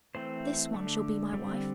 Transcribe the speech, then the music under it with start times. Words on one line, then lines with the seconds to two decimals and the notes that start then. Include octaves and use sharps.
'This one shall be my wife.
0.15 E3 A3 C4 C5
0.74 D3 A3 D4
1.33 D3 G3 C4